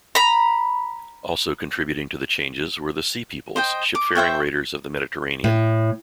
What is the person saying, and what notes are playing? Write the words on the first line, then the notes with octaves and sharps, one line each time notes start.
Also contributing to the changes were the Sea Peoples, ship-faring raiders of the Mediterranean.
A#5 B5
C5 D#5 G5
D6
C5 E5 G5 C#6
A2